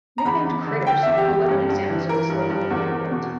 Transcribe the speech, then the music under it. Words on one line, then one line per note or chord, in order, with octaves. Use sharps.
Nicknamed "critters", eleven examples of this locomotive were built.
A#5
E2 B5
E2
D3
D3 G5
E2 E5
G4
E2 G4
G2
G2
E3
E3 A#4
G2
G2
E2
E2
B2